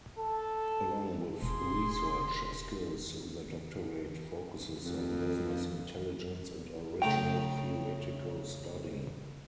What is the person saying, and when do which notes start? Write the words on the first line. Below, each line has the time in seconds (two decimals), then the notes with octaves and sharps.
Along with research skills the doctorate focuses on business inteligence and original theoretical study.
0.19 A4
1.43 E1 G#4 C6
4.80 F2
7.02 C#3 A3 G5 A#5